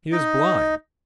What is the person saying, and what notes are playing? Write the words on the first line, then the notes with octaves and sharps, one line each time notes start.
"He is blind."
D#4 D#5